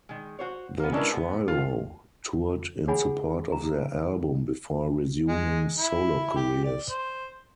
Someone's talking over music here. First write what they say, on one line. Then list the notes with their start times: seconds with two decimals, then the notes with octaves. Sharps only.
The trio toured in support of their album before resuming solo careers.
0.09 D#3 G#3
0.39 F#4 C5 C#5
0.80 A#3 B3
0.92 G#3 C#4 D4 E4 A#4 B4
1.13 B3
1.48 F4
2.88 G#4 C#5 F#5 G#5 B5
3.52 A#5
5.28 G#3
5.78 E4
6.36 G4
6.64 D5
6.89 C5